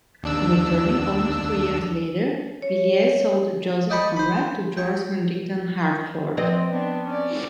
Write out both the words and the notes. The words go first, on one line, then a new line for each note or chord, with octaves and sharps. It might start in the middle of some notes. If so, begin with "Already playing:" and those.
Returning almost two years later, Villiers sold the "Joseph Conrad" to George Huntington Hartford.
D#2 D4 E6
C#5
D5 D#5 G5 A5 B5 C#6
C5 B5
C#5 G5
F3 C4 B4 D#5
B3 D4
C#4 D5